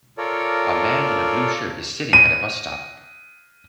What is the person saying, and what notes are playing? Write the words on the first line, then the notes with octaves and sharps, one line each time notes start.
A man in a blue shirt is sitting at a bus stop.
F4 A4 A#4 C#5 D5
D#7